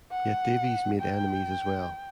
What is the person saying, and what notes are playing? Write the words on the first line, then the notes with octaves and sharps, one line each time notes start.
Yet Davies made enemies as well.
F#5
G5